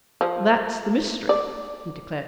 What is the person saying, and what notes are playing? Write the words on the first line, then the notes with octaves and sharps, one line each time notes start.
"That's the mystery," he declared.
F3
D5